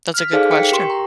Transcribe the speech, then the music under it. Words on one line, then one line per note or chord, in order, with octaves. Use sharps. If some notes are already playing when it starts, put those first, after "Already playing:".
That's a good question.
F6 B6
D#4 G#4 A4 C5 D5 F5
G5 B6 C#7
G4 A#4 G5 C6 C#6
A#5